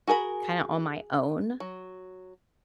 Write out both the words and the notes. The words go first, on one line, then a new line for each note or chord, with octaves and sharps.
kinda on my own,
F#4 G#4 A#4 G#5 B5
F#3